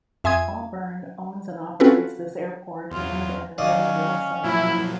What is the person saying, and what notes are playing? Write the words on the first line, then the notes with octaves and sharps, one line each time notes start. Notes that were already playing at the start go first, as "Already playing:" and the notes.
Auburn owns and operates this airport and an industrial site.
F2 E5 G#5 C6 D#6 G#6
C4 C#4 F4 F#4 A4 B4
E2 F#3 F4
D#3 F#3 C#4 D5 D#5 F5
A#2 F3 F#3 E4